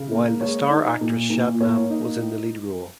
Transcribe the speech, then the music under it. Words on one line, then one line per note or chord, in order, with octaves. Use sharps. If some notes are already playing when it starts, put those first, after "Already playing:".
While the star actress Shabnam was in the lead role.
Already playing: C#3
A#3
G#3 C#5
D#4
A#2
A#2
A#3 C#5
D#4